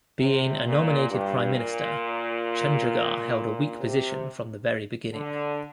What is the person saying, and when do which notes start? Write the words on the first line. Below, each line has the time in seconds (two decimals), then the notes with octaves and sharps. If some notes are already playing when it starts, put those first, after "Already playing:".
Being a nominated Prime Minister, Chundrigar held a weak position from the very beginning.
0.19 C3
0.65 A#2
1.10 G2
1.54 A#2
3.79 C3
5.13 D3